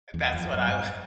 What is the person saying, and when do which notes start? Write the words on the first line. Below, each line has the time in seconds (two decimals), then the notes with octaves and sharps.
That's what I wa
0.14 E2
0.34 F2
0.54 F#2
0.68 G2